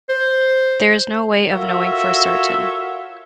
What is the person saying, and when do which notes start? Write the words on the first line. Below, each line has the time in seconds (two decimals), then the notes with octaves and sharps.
There is no way of knowing for certain.
0.09 C5
1.51 F4 F#4 A4 A#4 C#5 E5